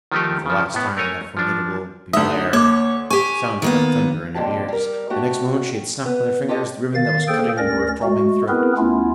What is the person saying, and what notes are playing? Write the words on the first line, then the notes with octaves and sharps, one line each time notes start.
For the last time that formidable "Beware!" sounded like thunder in her ears; the next moment she had snapped with her fingers the ribbon that was cutting into her throbbing throat.
D#3 F3 A3 D#4 G4
C#3 F3
A2 B3
A3 A#4 C#5 G#5 A#5
F3 D4
D2 D#4 E5 D#6
A#3 C#5 D6
G4 G#5 C#6
D#3 A#3 B3
F2 A#2 D3 G#3 G4 A5
G3 A#4
A3 D4 F#4 G4
B3 B4
F4 G4 A4 C#5 D#5
D#3 F5 A6
A#3 G#4 A4 C5 G5
D2 C#4 A#4 D5 A#6
G#3 A3 F#4
B3 C4 E4 G#4 A#4 B4
D2 A3 B3 C#4 E4 F4